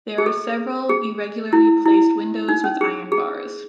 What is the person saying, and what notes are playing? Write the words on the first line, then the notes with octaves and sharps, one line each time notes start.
There are several irregularly placed windows with iron bars.
G#4
A4
G#4
E4
E4
D#4
C#4
G#4
G#4